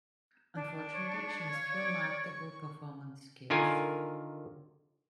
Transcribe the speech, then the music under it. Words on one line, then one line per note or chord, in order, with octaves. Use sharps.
Unfortunately, she has few marketable performance skills.
D4
C#5
F5
D5
C#6
D3 D#3 F4 A#4 G#5